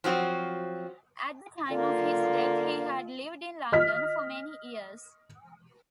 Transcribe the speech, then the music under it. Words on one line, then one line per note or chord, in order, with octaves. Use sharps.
At the time of his death he had lived in London for many years.
F3 F#3 C4 F#4
D3 A#3 F4
D#5 F6 B6